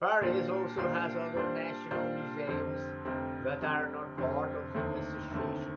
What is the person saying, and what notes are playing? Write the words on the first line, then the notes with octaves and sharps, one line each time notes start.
Paris also has other national museums that are not part of the association.
A#2 G3 D4 F4 C5
A#2 G3 D4 F4 C5
A#2 G3 D4 F4 C5
A#2 G3 D4 F4 C5
F1 F2 D3 G3 C4
F1 F2 D3 G3 C4
F1 F2 D3 G3 C4
F1 F2 D3 G3 C4
F1 D#2 D3 A3 C4
F1 D#2 D3 A3 C4